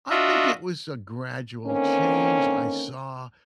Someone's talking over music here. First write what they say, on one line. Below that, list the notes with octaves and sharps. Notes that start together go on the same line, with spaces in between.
I think it was a gradual change, I saw,
D4 F4 F#4 D#5 E5
D3 D#3 A#3 C4 C#4